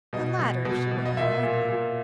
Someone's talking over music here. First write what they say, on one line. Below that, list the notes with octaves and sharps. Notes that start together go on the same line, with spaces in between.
The latter, if she read him rightly.
B2 D#5
B2
B2
B2
D#5
A#2 E5
A#2
A#2